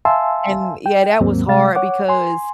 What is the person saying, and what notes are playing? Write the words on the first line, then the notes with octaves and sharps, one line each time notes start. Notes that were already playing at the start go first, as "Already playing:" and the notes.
And yeah, that was hard because,
E5 F5 G#5 A5 C6 E6
G5
D#2 G#2 F#3 A#3 C4
C3 G#3 F5 A6
C#5 F#5 D6
G#5 C6